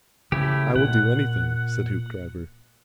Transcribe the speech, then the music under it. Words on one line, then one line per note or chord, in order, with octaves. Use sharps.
"I will do anything," said Hoopdriver.
C#3 A3 E4 G4
A#2 F#5